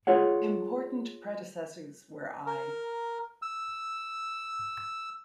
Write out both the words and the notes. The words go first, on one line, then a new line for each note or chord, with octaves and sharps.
Important predecessors were I.
F4 G#4 C#5 F#5
A#4
E6